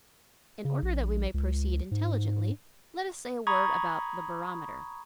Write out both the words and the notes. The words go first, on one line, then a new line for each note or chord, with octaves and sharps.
In order that we may proceed intelligently, let us say a word about the barometer.
C#3
A#1
C#2
G#2
A#5 B5 C#6 D#6 G#6